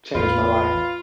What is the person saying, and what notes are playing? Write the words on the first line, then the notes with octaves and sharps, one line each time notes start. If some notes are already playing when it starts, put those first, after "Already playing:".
Changed my life.
A1 E2 F4 B4